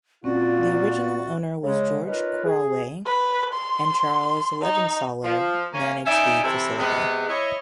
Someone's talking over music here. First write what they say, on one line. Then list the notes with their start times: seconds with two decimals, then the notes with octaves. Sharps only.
The original owner was George Crowey and Charles Levansaler managed the facility.
0.24 A#2 C4 C#4 F4 F#4 D5
1.63 C#3 G#3
2.06 C#4 D#4 F4 A#4 B4
2.44 G#4
3.06 B4
3.54 C6
4.62 D#4
5.23 F3
5.72 A#3 C#4
6.06 C#4 D#4 D5 E5 G5 G#5
6.43 C3 E3 C4 E4 A4
6.78 C3 G#3 B3
7.28 E4 C#5 D#5